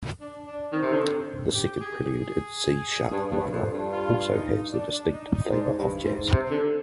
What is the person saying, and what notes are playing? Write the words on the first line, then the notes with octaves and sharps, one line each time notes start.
The second Prelude, in C-sharp minor, also has the distinct flavour of jazz.
D4
D4
D#3 C4
C3
D3
G4
G4
G#4
G#4
G2
G2
F2
G2
F4
D#4
D4
D4
D#4
D#4
G#2 D4
G2 D#3
G#2
C3
D3